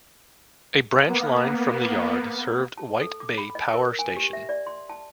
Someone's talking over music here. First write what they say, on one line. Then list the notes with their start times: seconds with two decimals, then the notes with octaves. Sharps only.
A branch line from the yard served White Bay Power Station.
1.08 A#3 B3
2.78 A5
3.01 A4
3.20 D6
3.38 B5
3.55 D#5
3.74 A#4
3.99 G#5
4.17 G4
4.33 E5
4.49 D5
4.67 C6
4.90 A5